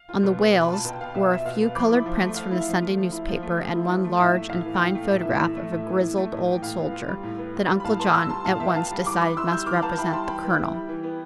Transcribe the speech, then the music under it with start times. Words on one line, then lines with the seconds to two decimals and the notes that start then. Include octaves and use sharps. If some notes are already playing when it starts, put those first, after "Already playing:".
On the wails were a few colored prints from the Sunday newspapers and one large and fine photograph of a grizzled old soldier that Uncle John at once decided must represent "the Colonel."
Already playing: F5
0.09 F4
0.23 B2
0.39 B3
0.53 B2
0.61 B5
0.69 F4 A5
0.84 B2 G5
0.99 B3 F5
1.15 B2 E5
1.29 F4 E5
1.45 B2 F5
1.60 B3
1.75 F3 B5 D6
1.91 E4
2.06 F3
2.21 A3
2.36 F3 F5
2.51 E4
2.67 F3
2.82 A3
2.97 F3
3.12 E4
3.28 F3
3.43 A3
3.58 F3
3.74 E4
3.89 F3
4.04 A3
4.19 A2 E5
4.35 A3
4.49 A2 F5
4.65 E3
4.75 G5
4.79 A2 F5
4.95 A3
5.10 A2
5.21 E3 E5
5.41 A2
5.57 A3
5.72 A2
5.86 E3
6.01 A2
6.17 A3
6.32 A2
6.47 E3 G5
6.62 A2 F5
6.78 B3
6.92 F4
7.08 G3
7.23 A2
7.38 B3
7.54 F4
7.69 G3
7.80 B5
7.84 A2 F5 A5
7.99 B3 A5 C6
8.14 F4 C6 E6
8.29 G3 A5 C6
8.45 A2 F5 A5
8.60 B3 E5 G5
8.75 F4 F5 A5
8.91 G3
9.06 E3 B5 D6
9.21 B3 B5 D6
9.37 E4 C6 E6
9.51 G3 E6 G6
9.66 E3 D6 F6
9.76 B5
9.82 B3 F5 A5
9.97 E4 G5 B5
10.12 G3 A5 C6
10.27 E3 G5 B5
10.43 B3
10.58 E4
10.73 G3
10.89 E3
11.03 B3